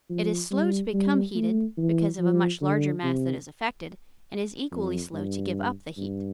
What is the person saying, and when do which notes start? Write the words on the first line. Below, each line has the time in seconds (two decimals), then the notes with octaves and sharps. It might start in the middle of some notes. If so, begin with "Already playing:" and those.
It is slow to become heated, because of a much larger mass that is affected, and is equally slow to give up the heat.
0.10 F3
0.51 G3
0.94 G3
1.35 A3
1.78 E3
2.19 F3
2.61 D3
3.03 C3
4.72 F2
5.13 G2
5.98 G2